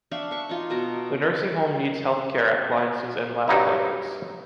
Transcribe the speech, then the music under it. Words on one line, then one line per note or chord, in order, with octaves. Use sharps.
The nursing home needs health care appliances and lap blankets.
D4 E5 F5 C#6
E5 C#6
D#4 F4
B2 A5 A#5
G2 F#3 G3 D#4 E4